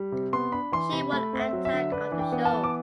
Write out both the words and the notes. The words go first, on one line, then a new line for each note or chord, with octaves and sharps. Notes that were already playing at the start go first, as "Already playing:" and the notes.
She won Attack of the Show!
Already playing: G3
C3
B3 C6
D4 B5
E3 C6
C3 B5
A3 B5
C4
E5
F#3
E5
D3
D4 B4
E3
G5
B3
A5
E3
D6